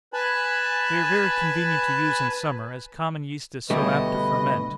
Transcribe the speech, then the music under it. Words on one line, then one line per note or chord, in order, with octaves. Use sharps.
They are very convenient to use in summer, as common yeast is so apt to ferment.
B4 G#5 A5 B5
D2 B2 D3 G3 A3 B4 D#5